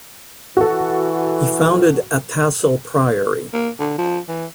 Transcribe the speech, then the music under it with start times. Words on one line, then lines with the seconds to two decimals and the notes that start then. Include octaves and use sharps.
He founded Athassel Priory.
0.57 E3 F#4 A4
3.53 A#3
3.80 D3
3.98 F3
4.29 E3